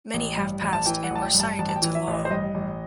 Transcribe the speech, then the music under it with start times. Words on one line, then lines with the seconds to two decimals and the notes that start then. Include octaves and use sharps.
Many have passed and were signed into law.
0.14 A1
0.37 G2
0.61 A1
0.73 A5
0.86 E3 G5
1.04 F#5
1.10 A1
1.16 A5
1.22 G5
1.34 G2
1.40 A5
1.58 A1 A5
1.69 A5
1.76 G5
1.82 E3
1.95 E5
2.07 A1
2.13 D#5
2.25 C5
2.31 G2 D#5
2.54 A1